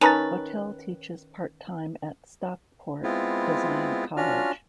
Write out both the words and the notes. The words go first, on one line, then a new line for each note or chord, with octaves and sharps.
Votel teaches part-time at Stockport Design College.
D#3 C#4 B4 A5 A#5 A6
G#3 B3 C4 E4 F4
C#4 D4 F4 F#4 F6